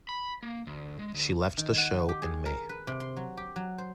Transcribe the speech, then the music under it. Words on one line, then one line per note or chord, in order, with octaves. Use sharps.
She left the show in May.
B5
A#3
D2
G#3
D2
D#3
F#5
G4
G#4
A#4
B4
C3
C6
F#3
G4
F#3
C5